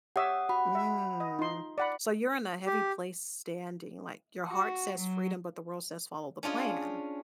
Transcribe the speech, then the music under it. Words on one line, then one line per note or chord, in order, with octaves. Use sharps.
Mm, so, you're in a heavy place standing, like, "Your heart says freedom, but the world says follow the plan."
G4 C#5 E5 F#5 D#6
F#4 F#5 B5
E5
D#5
D#4 F4 C6
D5 F#5 B5
G4
F#4
F#3
C#4 D4 F4 G#4